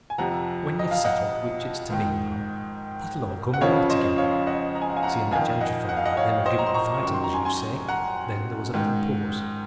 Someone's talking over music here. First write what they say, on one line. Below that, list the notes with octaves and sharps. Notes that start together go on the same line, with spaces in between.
"When you've settled which it's to be, ma'am, that'll all come right again,--seeing that gentlefolks like them have given up fighting, as you say." Then there was a little pause.
G#5
F2 C3 F3 F#5 A#5
D#5
F5
D#5 F#5
G#2 D#3
F#5
F2 C#3 F3 C#5 F5
C5 D#5
C#5 F5
D#5 F#5
A#5
G#5
F#5
F5 G#5
F#5 A#5
F2 D#3 F5 G#5
D#5 F#5
F#5
F5
D#5 F#5
C#5 F5
C5 D#5
A#5
C6
A#5 C#6
F#2 D#3 C#6
C6
A#5
G#5 C6
G#5 C6
F#5 A#5
G#2 D#3